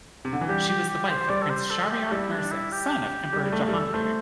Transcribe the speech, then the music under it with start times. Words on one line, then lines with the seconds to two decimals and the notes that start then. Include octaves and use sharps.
She was the wife of Prince Shahryar Mirza son of Emperor Jahangir.
0.25 C3
0.33 D3
0.41 E3
0.48 G3 G4
0.69 G4
0.89 G4
1.09 C5
1.29 G3 D5
1.42 A4
1.50 C5
1.70 A4
1.90 G4
2.11 G3 E4
2.32 D4
2.51 E4
2.72 G4
3.33 G3
3.45 G3
3.52 A3
3.68 G3
3.73 A3 A4
3.94 A3 C5